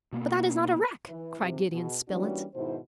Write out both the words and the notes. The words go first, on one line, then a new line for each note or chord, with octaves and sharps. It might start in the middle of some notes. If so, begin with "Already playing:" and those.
"But that is not a wreck!" cried Gideon Spilett.
B2 A#3 B3
E3
G#2 C3 F3
B2 F#4 G#4
E3 G3 A#3 C#4 D4 F#4
G#2 B2 D#3 E4 C5